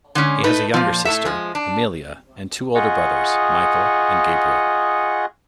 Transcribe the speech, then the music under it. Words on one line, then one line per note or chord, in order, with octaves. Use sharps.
He has a younger sister, Amelia, and two older brothers, Michael and Gabriel.
D3 G#3 C#4
A3 D#4 B4
A#2 F3
A2 A3 E5
F3 G#3
D4
F4 G#4 D#5 F#5 C#6